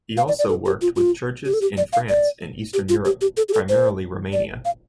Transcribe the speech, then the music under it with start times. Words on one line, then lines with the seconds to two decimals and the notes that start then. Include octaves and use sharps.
He also worked with churches in France and Eastern Europe, primarily Romania.
0.17 F5
0.28 D5
0.39 D5
0.49 A4
0.65 G4
0.82 F4
0.96 F4
1.45 G4
1.54 A4
1.61 G4
1.77 D5
1.93 F5
2.09 D5
2.74 G4
2.89 F4
3.05 G4
3.21 G4
3.37 A4
3.49 G4
3.53 A4
3.69 C5
4.33 D5
4.65 F5